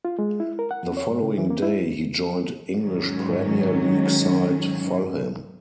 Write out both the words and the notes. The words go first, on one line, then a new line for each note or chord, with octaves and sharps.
The following day, he joined English Premier League side Fulham.
F4
G#3
E4
A#4
F#5
F2
C#5
G#2
C#3
E3
A#3
E4
G#2 D#3 F#3 C#4